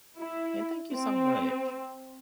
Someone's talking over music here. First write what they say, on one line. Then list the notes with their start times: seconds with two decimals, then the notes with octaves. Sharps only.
and thank you so much.
0.20 E4
0.94 C4